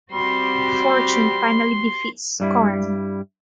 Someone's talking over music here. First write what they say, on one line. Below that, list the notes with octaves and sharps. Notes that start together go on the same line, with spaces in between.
Fortune finally defeats Scarn.
G3 C4 F#4 G4 C6
G2 G3 E4